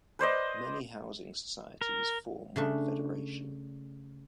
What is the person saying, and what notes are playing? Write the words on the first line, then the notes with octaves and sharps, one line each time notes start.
Many housing societies form one federation.
B4 C5 D5 D#5
A#4
C#3 A3 D4